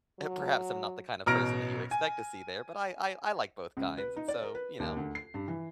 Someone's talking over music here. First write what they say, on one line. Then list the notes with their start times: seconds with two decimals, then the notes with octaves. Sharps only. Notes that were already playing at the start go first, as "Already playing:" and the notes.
uh, perhaps I'm not the kind of person that you would expect to see there, but I I I like both kinds. And so, you know?
0.19 F#3
1.26 A1 B2 A#5 F6 A#6 D7
1.91 G#5
3.77 C#2
3.98 B4
4.17 D#4
4.28 D5
4.42 A#4
4.55 B4
4.80 D#2
4.97 D2
5.15 C7
5.34 G2
5.48 E3